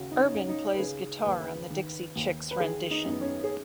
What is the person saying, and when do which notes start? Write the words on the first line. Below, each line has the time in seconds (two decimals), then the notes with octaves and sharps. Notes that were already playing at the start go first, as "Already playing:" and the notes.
Urban plays guitar on the Dixie Chicks' rendition.
Already playing: D#2 C#3 F#4
0.11 D#4
0.19 C#4
0.34 C#2
0.49 D#4
0.75 B4
0.79 C#3 G#4
1.24 D#2 B4
1.41 B4
1.70 D#3
2.16 D#2
2.51 B4
2.60 D#3 G#4
2.91 D#4
3.05 F#2
3.10 B3
3.21 C#4
3.44 G#4